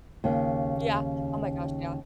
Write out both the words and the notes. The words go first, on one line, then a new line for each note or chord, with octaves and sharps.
Yeah. Oh my gosh, yeah.
D#2 C#3